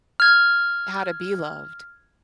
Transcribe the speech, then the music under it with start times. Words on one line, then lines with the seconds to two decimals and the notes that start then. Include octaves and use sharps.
How to be loved.
0.20 F6 G#6